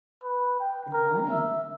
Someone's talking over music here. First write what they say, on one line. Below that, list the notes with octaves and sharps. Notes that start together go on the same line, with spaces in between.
Good morning.
B4
G5
A#4
E5